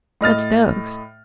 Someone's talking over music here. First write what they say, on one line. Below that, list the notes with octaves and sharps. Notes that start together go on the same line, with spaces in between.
"What's those?"
A2 D#5 F6 A6